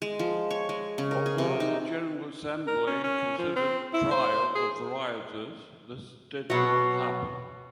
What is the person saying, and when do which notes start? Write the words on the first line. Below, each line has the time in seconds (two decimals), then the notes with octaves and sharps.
Although the General Assembly considered trial of the rioters this did not happen.
0.02 G#3
0.19 F3
0.51 C#5
0.69 G#3
0.98 C#3
1.11 A#4
1.26 G#4
1.38 C3
1.60 D#4
2.67 A#4
2.87 C#4
3.04 C#4
3.38 F3
3.56 C4
3.94 E4
4.11 C5
4.55 G#4
6.50 B2 F#3